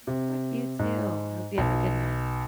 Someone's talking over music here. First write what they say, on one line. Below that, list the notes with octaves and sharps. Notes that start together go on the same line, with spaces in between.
Of course, you too! I hope you have a good night.
C3
G#2
B1